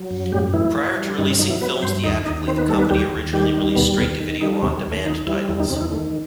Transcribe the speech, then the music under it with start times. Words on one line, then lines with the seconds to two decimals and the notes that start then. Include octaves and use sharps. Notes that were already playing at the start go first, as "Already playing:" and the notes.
Prior to releasing films theatrically, the company originally released straight-to-video on demand titles.
Already playing: F#3
0.11 F#2
0.32 A2 G3 G4
0.53 A2 E3 E4
0.75 E3
0.96 G3
1.17 G2 D#3 D#4
1.29 C3 C4
1.39 D#3 F#3 D#4
1.50 E3 E4
1.61 F#3 B3 B4
1.82 G2 C4 C5
2.04 D#2 D#4 D#5
2.25 D#2 D#4 D#5
2.47 D#3 C4 C5
2.58 B3 B4
2.69 G3 A3 A4
2.79 B3 B4
2.91 D#2 G3 G4
3.12 D#2
3.33 D#3 G3 G4
3.55 G3
3.76 D#2 B2 B3
3.98 D#2 B2 B3
4.20 D#3
4.41 D#3 G3 D#4
4.63 D#2 C3 C4
4.77 G3
4.84 D#2
4.92 A3
5.06 D#3 D#4
5.27 E3 G3 E4
5.48 E2 E3 E4
5.60 D#3 D#4
5.70 E2 C3 C4
5.76 D#4
5.81 E3 E4
5.91 D#3 A3